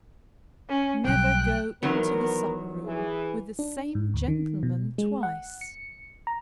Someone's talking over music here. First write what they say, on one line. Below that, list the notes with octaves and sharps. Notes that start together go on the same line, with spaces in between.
Never go into the supper-room with the same gentleman twice.
C#4
B1 G3 G5 F#6
E2 D#3 F#3 B3 A#4
E3 G#4
D4
G#2
D2
D#3
B2
G#3
F#5
C#7
A#5